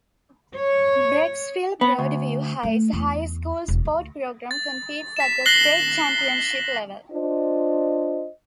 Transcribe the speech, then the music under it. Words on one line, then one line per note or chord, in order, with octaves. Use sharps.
Brecksville-Broadview Heights High School's sports program competes at the state championship level.
C#5
B3
D2
A3
E2
E1
D2
A6
B6 E7
F#6 A#6 C7 F#7 G7
D4 F4 C5 D#5